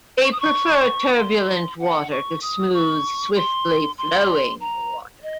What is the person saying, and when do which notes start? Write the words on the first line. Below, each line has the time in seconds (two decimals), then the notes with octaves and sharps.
They prefer turbulent water to smooth, swiftly flowing water.
0.23 C#6
0.32 D#6
0.40 C#6
1.17 C6
1.80 F#5
2.11 C#6
2.42 D#6
2.74 C#6
3.35 C6
3.98 C6
4.61 A#5
5.23 D#5